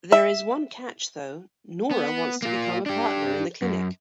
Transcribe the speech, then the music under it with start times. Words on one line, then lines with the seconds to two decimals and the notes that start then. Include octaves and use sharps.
There is one catch, though-Nora wants to become a partner in the clinic.
0.12 E5
1.91 B3
2.42 A#3 F4
2.86 D4 G4
3.62 F#2